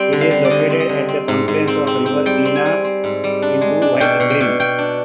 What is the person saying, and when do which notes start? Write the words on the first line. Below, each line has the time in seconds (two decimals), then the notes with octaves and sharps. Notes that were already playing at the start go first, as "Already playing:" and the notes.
It is located at the confluence of the river Klina into the White Drin.
Already playing: G3 C4 G5
0.13 D3
0.21 F5
0.31 G3
0.45 D5
0.50 D3 D#5
0.70 C4
0.80 D#5
0.89 D3
1.09 C4
1.28 G#2
1.48 G#2
1.68 C4
1.87 C4
2.06 C4
2.26 G3 G5
2.45 C4
2.56 G#5
2.65 G3
2.84 C4
3.04 G#2
3.24 G3
3.42 D4
3.61 G#3
3.82 D4
4.00 B2 G5
4.20 B2
4.30 G5
4.40 B2
4.60 B2 G5
4.78 D4